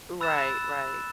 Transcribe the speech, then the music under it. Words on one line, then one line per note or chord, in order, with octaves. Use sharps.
Right, right.
B5 E6 F#6 A6 E7